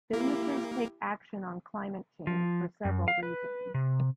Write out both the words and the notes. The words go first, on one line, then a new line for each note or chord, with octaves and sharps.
Businesses take action on climate change for several reasons.
A#3 E4 G4
F3
F#2
F5
B4
C3